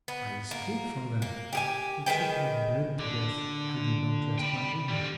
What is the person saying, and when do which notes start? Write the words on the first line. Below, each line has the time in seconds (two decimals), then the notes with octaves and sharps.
I escaped from them, but should have bled to death had you not dressed my wound.
0.08 B3
0.51 A#3
1.22 A#3
1.53 G4 G#4 G#5
2.06 D#3 G#3 B4 G5
3.00 D3
4.39 G5 B5
4.89 D3 G3